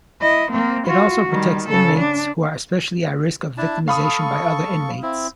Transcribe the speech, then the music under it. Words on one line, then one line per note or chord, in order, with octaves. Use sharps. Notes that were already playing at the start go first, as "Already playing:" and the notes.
It also protects inmates who are especially at risk of victimization by other inmates.
E4 D#5
A#3 C4
F4 F#4
D#3 G3
C#3 A4
D4
D4 E4 A5
A4 F5 B5 C#6 D#6
C4 E4